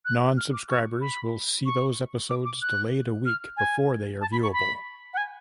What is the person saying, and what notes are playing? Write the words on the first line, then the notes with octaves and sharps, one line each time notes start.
Non-subscribers will see those episodes delayed a week before they are viewable.
F#6
F6
D6
C#6
B5
C#6
D6
D6
F#6
F6
G#5
A5
B5
C#6
B5
F#5
G#5